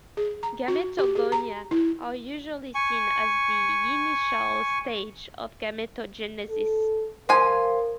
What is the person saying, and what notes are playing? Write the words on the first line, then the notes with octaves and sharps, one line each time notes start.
Gametogonia are usually seen as the initial stage of gametogenesis.
G#4
A#5
F#4
G4
G#4
A#5
E4
G#5 C#6
A4
F3 F4 A#4 G#5